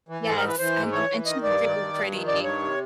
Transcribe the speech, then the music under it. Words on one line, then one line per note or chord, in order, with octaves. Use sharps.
Yes, I know, and she's really pretty.
E3
G#2 A4
A#4
E3
B4
E3 C5
G#2
E3 C#5
E3
D#3 D#5
G2 D5
D#3
G2
G2
D#3
G2 D5
D#3 C#5
C3